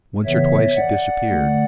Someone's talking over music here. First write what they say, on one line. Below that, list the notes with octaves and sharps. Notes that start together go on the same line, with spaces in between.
Once or twice it disappeared.
C#3 E3 B3 C#5 E5
D5 F#5
D3 A3